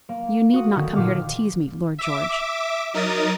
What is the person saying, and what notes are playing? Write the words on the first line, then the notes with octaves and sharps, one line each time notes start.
"You need not come here to tease me, Lord George."
A#3
F#4 D#6
D3 D#3
A#2 D6 F6
E5 D6
F#3 D#4 A#4 D#6 A6